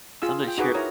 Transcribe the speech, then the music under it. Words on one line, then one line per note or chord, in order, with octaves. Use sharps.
so I'm not sure
F4 G#4 G#5 E6
F4 G5
D#4 F#4 G#4 B4 F#5 D6
E4 A#4 C#5 A#5 D#6